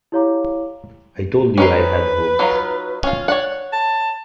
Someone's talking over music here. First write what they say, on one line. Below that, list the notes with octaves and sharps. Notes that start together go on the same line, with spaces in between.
I told you I had hopes.
E4 G4 C#5 F5 A#5 D6
C#4 D#4 B4 C5
F#3 D#4 F4
C#4 F4
C#5 D5 F#5
A5